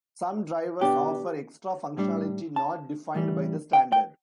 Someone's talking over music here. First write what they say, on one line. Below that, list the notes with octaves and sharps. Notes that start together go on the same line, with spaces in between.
Some drivers offer extra functionality not defined by the standard.
B2 B3 D4 G4
A2 G3 D4
A5
A2 E3 G3
G5
G5